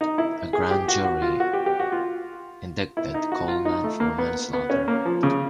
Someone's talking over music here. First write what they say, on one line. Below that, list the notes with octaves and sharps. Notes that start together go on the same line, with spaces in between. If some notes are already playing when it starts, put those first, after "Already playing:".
A grand jury indicted Coleman for manslaughter.
D#4
E4
G#4
G4
F#4
F#4
F4
F#4
G4
G4
F#4
F4
E4
D#4
F#4
F4
D#4
A3
A#3
B3
B3
C#4
A#3
F3
C#3